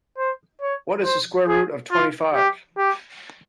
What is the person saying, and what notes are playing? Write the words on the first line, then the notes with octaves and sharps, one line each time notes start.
What is the square root of twenty-five?
C5
C#5
C5
G#4
F4
G4
G4